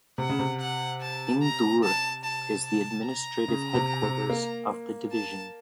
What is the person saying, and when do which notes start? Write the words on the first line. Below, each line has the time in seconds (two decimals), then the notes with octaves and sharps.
Indore is the administrative headquarters of the division.
0.18 C3 F#5
0.29 C#3
0.39 C3
0.60 F#5
1.02 A5
1.42 A#5
1.84 A5
2.24 A5
2.65 A5
3.06 A#5
3.48 C#3
3.75 C3
4.03 C3
4.30 A#3
5.12 A5